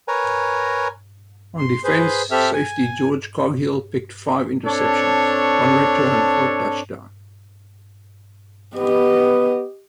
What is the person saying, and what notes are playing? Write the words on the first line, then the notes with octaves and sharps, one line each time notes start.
On defense, safety George Coghill picked five interceptions, one returned for a touchdown.
A#4 B4 C#5 G#5 A#5
C6
G#4 B4 C5
C4 G4 A4 E5 F6
G#5
C4 D4 A4 C#5
B3 G4 D#5